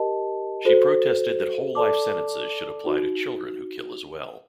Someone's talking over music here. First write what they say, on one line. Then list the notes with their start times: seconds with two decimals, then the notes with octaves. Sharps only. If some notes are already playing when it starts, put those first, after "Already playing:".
She protested that whole life sentences should apply to children who kill as well.
Already playing: G4 A#4 D#5 A5
0.65 F#4 A4 C5
1.75 A4 D5 A5 D6
2.86 D#4 F#4